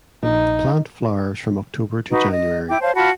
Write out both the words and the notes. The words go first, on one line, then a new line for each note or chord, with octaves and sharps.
The plant flowers from October to January.
A#1 D#4
D#4 F#4 B4
D#5
E4 G5 D6
C5 C#5 F5 A5
F4 F#4 A5 B5